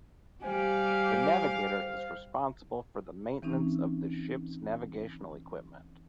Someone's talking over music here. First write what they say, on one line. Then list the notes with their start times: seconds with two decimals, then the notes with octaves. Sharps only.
The navigator is responsible for the maintenance of the ship's navigational equipment.
0.43 G3 G4 C5 F5 G#5
3.42 E3 C4 C#4 D#4